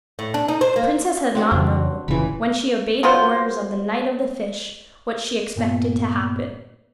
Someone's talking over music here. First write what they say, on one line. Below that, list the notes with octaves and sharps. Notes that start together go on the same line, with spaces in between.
The princess had not known, when she obeyed the orders of the Knight of the Fish, what she expected to happen.
A2
D4
D#4
C5
A#3
C4 D4 F#4
F2 C#3 E3
F1 A#2 C#3 E3 B5
F#3 B3 F4 C5
G2 A#2 A#3 B3